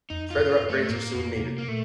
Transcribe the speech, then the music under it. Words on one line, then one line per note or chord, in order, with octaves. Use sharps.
Further upgrades were soon needed.
F2 D#4
F4
G2
F4
G2
A3
A3
A2 A#3
F2
A#2
C3
A#3
A#2 A3